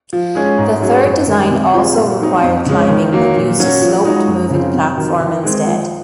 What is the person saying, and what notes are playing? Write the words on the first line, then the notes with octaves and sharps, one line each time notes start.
The third design also required climbing but used a sloped, moving platform instead.
F3
G#3 C#4 G#4
G#2
F#3 C#4 G#4
F#2
D#3 G#3
C3
F3 C4 F4 G#4
A#2
F#3 C4 D#4
F2
C#3 G#3 C#4
D#3
F#3 A#3
A#2
F#3 C#4 F#4
F3
G#3 D#4 F#4
F#2
C#3 F3 C4
C3
D#3 F#3
D#3
G#3 C4
F3